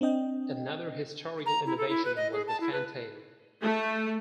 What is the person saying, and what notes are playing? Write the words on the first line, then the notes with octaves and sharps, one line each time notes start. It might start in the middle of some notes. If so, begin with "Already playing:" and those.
Another historical innovation was the fantail.
C4 D4 D#5 G5
A#5
E4
A4
E4
B4
D#5
G#4
A5
E4
B4
A3